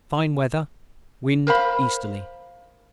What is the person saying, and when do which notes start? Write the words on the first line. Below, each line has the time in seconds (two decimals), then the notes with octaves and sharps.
Fine weather: wind easterly.
1.47 A#4 C5 F5 B5